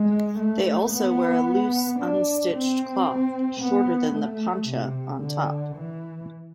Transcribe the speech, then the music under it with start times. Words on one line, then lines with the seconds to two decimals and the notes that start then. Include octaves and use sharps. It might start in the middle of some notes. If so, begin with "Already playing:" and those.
They also wear a loose, unstitched cloth, shorter than the "pancha", on top.
Already playing: G#3
0.38 A3
0.93 B3
2.00 D4
2.54 C4
3.61 B3
4.15 A3
4.68 C3
5.21 D3
5.76 E3